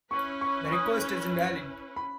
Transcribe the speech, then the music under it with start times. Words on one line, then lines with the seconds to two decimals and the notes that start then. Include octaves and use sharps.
The request is invalid.
0.10 C#4 E4 B4 C#6
0.41 C#6
0.65 C#6
0.72 D#6
1.96 B5